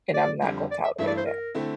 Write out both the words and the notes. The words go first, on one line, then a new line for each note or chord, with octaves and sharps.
and I'm not gonna tolerate that.
D5
F2 D3 G3
D5
E5
G2 E3 A3 E4 E5
D5
C5
A#4
D3 A3 C4 E4